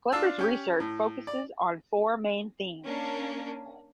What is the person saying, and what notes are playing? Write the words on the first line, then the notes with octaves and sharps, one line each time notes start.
Clifford’s research focuses on four main themes.
D4 F4 A5 E6
C#4 G4
A2
D5
A#3 C#4 D4